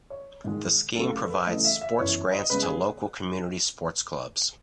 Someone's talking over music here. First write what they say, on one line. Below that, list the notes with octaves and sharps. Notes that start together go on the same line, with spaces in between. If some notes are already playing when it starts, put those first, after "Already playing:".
The scheme provides sports grants to local community sports clubs.
C#5
G#2 D#3 G#3
C#3 F#3 A3 A4
A4
B4
C#3 E3 A3 D#5
E5
E5
F#2 E3 B3 C#5
D#5
C#3 G#3 B3 B4
G#4